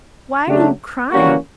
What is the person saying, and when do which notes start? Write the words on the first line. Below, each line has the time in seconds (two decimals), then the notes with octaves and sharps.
Why are you crying?
0.47 C#3 F#3 A3 D4
1.12 E3 G3 A#3 C#4 F#4